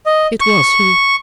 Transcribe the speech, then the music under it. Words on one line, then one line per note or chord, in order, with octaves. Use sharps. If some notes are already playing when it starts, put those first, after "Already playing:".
It was he.
D#5
C#6